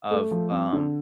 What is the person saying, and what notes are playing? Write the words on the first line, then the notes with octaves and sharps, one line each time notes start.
of, um,
A3
F3
C4
D3